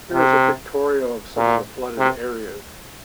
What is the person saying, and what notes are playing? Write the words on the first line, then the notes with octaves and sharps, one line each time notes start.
Here is a pictorial of some of the flooded areas.
C3
A#2
C3